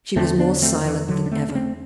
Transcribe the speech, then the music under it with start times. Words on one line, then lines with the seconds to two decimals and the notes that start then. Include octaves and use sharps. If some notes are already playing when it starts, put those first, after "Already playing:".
She was more silent than ever.
0.16 E2 D3 A3 C4
0.38 B3 D4
0.62 A3 C4
0.85 E3
1.08 D3 F#3
1.26 D4
1.31 A3 C4
1.49 D4
1.55 A3 C4